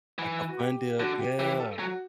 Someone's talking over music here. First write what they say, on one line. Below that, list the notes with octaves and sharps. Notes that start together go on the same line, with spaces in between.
Like a fun dip, yeah.
E3 B4
F#4
G4
D3 F#4
G4
E3 G4
A4
F#3 F#4